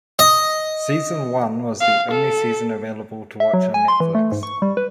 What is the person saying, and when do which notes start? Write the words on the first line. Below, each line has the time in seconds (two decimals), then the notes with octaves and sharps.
Season One was the only season available to watch on Netflix.
0.19 D#5
1.81 F5
2.11 A4
3.40 E5
3.54 F#3
3.74 G#5
3.88 C6
4.00 E3
4.15 A3
4.32 G#2
4.43 C#6
4.62 G3
4.77 B4